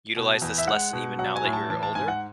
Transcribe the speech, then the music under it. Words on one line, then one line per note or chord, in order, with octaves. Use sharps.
utilize this lesson even now that you're older?
B2
E2
E5
G#3 F#5
B2
F#3 F#5
G#5
A2
A5
E3 A5
A5
G#2 G#5
F#5